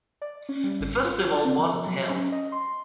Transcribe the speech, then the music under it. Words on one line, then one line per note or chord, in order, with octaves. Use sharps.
The festival wasn't held.
D5
C#4
G3
G#1
F4
D5
C4
F3
F#3
C#4
D#5
C6